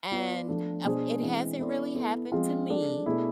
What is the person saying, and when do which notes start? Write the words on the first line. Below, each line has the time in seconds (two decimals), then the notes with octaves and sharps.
And av it hasn't really happened to me,
0.12 B3 F4 B4 D5
0.48 F3 A3 D4 F4 A4
0.85 B2 B3 D4 G#4 C5
1.21 E3 G#3 C4
1.59 B3 E4 A4 D5
1.95 B3 E4 A4
2.32 F3 G#3 C4 F4
2.69 G#3 D4 A4 D5
3.06 B2 A3 E4 G#4 D5